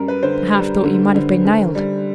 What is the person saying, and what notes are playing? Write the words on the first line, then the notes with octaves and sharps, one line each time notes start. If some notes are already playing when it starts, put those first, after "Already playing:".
I half thought you might have been nailed.
Already playing: F#2 G3 A#4
B4
D3 C5
G3
D3
D3
D3
G3